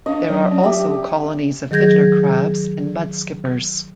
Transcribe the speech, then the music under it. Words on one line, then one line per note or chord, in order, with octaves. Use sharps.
There are also colonies of fiddler crabs and mud-skippers.
C#4 D4 D#5 F5
F#3 D5
C#4
G4 E5
D#3 F#3 G#4 G6 G#6 A#6